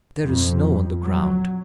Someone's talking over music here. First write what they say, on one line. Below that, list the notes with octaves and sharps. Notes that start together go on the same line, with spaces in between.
There is snow on the ground.
F2
F#3